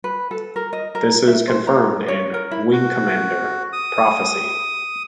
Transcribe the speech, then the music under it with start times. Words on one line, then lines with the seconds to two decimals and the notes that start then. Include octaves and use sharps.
This is confirmed in "Wing Commander: Prophecy".
0.04 B4
0.31 A4
0.56 A#4
0.73 D#5
0.95 A#4
1.28 E5
1.48 C5
1.67 A#5
2.08 C#5
2.34 A#4
2.51 E4
2.72 F#4
3.73 D#6